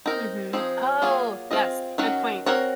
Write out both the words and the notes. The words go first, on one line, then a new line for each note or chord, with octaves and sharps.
Mhm. Oh! Yes, good point.
C4 D#4 A#4
F3 C4 D#4 G#4
F#3 A#3 F4 G#4
C4 F4 G#4 D#5
D#3 F#3 C#4 F#4
C4 F#4 A#4 C#5